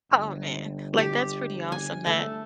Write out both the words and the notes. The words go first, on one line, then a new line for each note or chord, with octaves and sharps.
Oh, man, like, that's pretty awesome that
G1
G4
G#5
A3